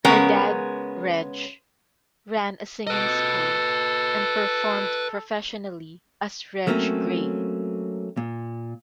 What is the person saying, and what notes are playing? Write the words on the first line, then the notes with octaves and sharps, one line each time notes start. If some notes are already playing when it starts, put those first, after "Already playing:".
Her dad, Reg, ran a singing school and performed professionally as Reg Gray.
C#3 G#3 B3 C#4 A#4 C#5
A4 B4 D#5
F#3 A3 A#3 C4 C#4
A#2